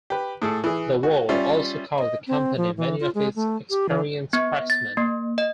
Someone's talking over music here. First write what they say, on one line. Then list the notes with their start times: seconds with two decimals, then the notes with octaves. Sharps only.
The war also cost the company many of its experienced craftsmen.
0.10 G4 B4
0.42 A2 G#4 A4
0.64 E3 G#4
1.03 F#4
1.29 G3 C#4 F4 E5
1.99 D#5
2.27 C4
2.57 F3
2.77 E3
3.00 F4
3.15 G#3
3.36 A3
3.70 G4
3.89 E3
4.33 B3
4.70 A6
4.97 A#3
5.38 D#5